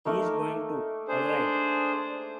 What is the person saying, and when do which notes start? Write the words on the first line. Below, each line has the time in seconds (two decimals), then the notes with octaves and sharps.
He's going to, all right.
0.05 A3 A#3 D#4
1.08 D4 G#4 C5